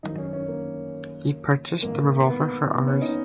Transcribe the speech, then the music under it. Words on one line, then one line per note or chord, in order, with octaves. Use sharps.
He purchased the revolver for Rs.
G#1 F#2 D#3 D#4
C#4
C#4
A#3
A#1 G#2 D#3 A#3
B3
B3
C#4
D#4